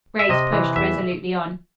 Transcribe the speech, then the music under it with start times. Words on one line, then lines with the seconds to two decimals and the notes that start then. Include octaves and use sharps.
Grace pushed resolutely on.
0.19 E5
0.29 C3 D#5
0.52 E3
0.76 E2 E5